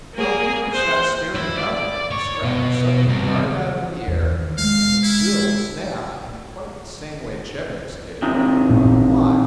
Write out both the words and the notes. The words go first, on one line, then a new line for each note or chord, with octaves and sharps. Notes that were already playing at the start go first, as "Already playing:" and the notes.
While Peter sat staring up at him Scrapper suddenly darted out into the air, and his bill snapped in quite the same way Chebec's did when he caught a fly.
A#3 G#4
C5 F#5
E4
D5
C#5
B2
C2
E2 D#3
G#3 F5
E4
C3 D#3
A1 A#2 B3